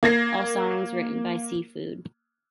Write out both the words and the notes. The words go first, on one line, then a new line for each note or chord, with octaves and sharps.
All songs written by Seafood.
A#3 G#6 A#6 C7